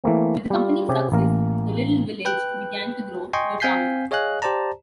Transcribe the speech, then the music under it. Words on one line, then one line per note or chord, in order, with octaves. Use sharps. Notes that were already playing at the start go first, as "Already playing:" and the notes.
With the company's success the little village began to grow to a town.
E3 A3 A#3 C4
G3 F4
C3 C#4 G4 G#4
A1 A#3 A#4
B4 G5 F#6
D#5 G5 G#5 C6 C#6
C4 F5 G#5 G6 B6 C7
G#4 C#5 D#5 F5 G#5 F#6
G4 C5 D5 A5 A#5